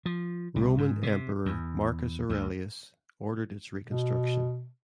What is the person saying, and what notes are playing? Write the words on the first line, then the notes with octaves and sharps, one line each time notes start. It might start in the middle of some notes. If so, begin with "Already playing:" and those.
Roman Emperor Marcus Aurelius ordered its reconstruction.
F3
C2
G#2
C3
E2
D2
B2